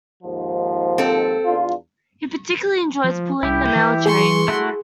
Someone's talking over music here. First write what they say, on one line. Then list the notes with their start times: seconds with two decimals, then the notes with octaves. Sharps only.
He particularly enjoys pulling the mail train.
0.23 D#2 G#2 F3
0.98 C4 A4
1.46 E2 D4 F4
3.04 F3
3.43 C2 E4 G4
3.76 E3
4.06 G#4 C6 C#6
4.48 A3 E4 F#4